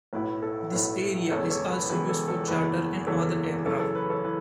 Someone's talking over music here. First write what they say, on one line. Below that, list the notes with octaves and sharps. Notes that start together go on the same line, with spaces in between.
This area is also used for charter and other aircraft.
B1 A2 A3 E4 B4
A4
B1 A2 A3 E4 B4
E1 E2 C#3 A4 C#5
A4 C#5
B4
E1 E2 C#3 B4
A4
A4
F#1 E2 E3 B4
F#1 E2 E3 A4 C#5
F#2 C#3 E3 A4 C#5
A4
B4
A4 C#5
E3 B4